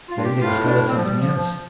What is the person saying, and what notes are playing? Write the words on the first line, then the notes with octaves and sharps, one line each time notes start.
Then they discovered something else.
F4
G2
G4
A2 F4
D4
C4
F3
G3
F3
F3